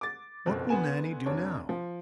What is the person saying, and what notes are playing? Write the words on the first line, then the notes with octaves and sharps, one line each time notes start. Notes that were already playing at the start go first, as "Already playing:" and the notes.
What will Nannie do now?
D6 A6
F#1 F2 B2 C4
D2 B3 B4 G#5 E7
F1 C3 D4 C#5
F3